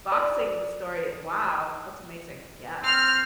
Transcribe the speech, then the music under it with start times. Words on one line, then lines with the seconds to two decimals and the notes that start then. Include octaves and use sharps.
boxing story. Wow, that's amazing, yeah.
0.12 D5
2.83 C4 F6